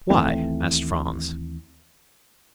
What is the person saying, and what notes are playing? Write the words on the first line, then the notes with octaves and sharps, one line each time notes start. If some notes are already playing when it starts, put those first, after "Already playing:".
"Why?" asked Franz.
D#2 E3 A3 C4